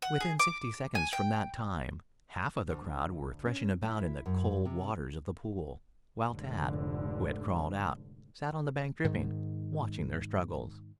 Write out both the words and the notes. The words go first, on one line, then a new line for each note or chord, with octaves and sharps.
Within sixty seconds from that time half of the crowd were threshing about in the cold waters of the pool, while Tad, who had crawled out, sat on the bank dripping, watching their struggles.
F#5
G#4
D6
G#5
G5
D2
D2
C#4
E4
F#2
C3
F1 G#2 D3
G#2 D#3 G#3